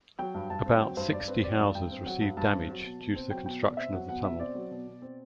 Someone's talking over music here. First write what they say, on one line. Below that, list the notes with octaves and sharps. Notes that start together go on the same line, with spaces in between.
About sixty houses received damage due to the construction of the tunnel.
F#3 G5
G2
G2 A5
C4
F#3 G5
G2 C5
G2 D5
C4 B4
F#3 D5
G2
G2 G5
C4
F#3 F#5
G2
G2 A5
C4
F#3
B2
B2
C4
F#3 G5
B2 G5
B2 D5
C4 E5
F#3 F#5
B2 F#5
B2 E5
C4 D5
F#3
B2
B2
C4